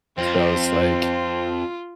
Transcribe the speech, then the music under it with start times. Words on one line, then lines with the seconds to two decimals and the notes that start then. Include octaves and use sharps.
So, it's, like,
0.18 F2 C4 F4